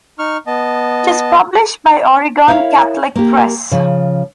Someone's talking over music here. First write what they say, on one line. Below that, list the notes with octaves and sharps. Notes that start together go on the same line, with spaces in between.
It is published by Oregon Catholic Press.
D#4 C#6 F6
B3 D#5 A5
E4 A#4 C#5 E5 F5
A#3 G4
C#3 F3